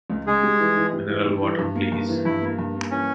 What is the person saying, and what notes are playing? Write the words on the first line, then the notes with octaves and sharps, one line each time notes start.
Mineral water please!
C#2
C#3 G#3 G#4
G3
E3
E3
G3
E3
G3
E3
G2
A#3
G2
E3
G2 E4
A#3
G2
A#3
E3 C#4